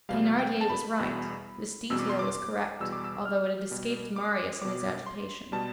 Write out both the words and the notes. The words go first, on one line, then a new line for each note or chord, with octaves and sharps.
Thenardier was right, this detail was correct, although it had escaped Marius in his agitation.
E2 B2 G3 F5
G5
A5
B5
E2 B2 G3
E2 B2 G3 E6
D6
C6
D6
E2 B2 G3 E6
D6
E6
F6
B2 G3
D6
B2 G3 D6
C6
B2 G3 A5